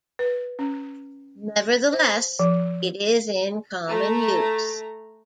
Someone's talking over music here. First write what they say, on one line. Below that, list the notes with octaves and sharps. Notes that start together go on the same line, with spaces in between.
Nevertheless, it is in common use.
B4
C#4
C5
F3
A3 A#5